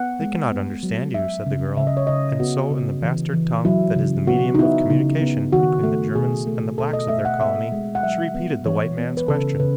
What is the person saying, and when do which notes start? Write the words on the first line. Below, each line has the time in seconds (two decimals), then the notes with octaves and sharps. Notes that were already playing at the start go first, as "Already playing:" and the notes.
"They cannot understand you," said the girl and so in the bastard tongue that is the medium of communication between the Germans and the blacks of their colony, she repeated the white man's question.
Already playing: B3 F#5
0.21 G#3
0.52 B3
0.83 F#3
1.14 F#3 E5
1.46 C#3
1.77 C#3 E5
1.87 D#5
1.97 C#5
2.07 C#3 D#5
2.40 B3 F#4
2.71 C#3
3.02 E3
3.34 E3
3.65 F#3 E4
3.96 C#3
4.27 B3 F#4
4.55 D#4
4.59 B3 E4
4.90 C#3 D#4
5.21 B3
5.53 D#3 F#4
5.83 A3
6.15 B2 G#4
6.47 A3
6.78 B2 A4
6.93 D#5
7.09 A3 E5
7.25 F#5
7.41 B3 E5
7.72 G#3
7.95 F#5
8.03 F#3 E5
8.34 B3
8.66 E3 C#5
8.97 B3
9.17 B4
9.28 C#3 A4
9.60 C#3 B4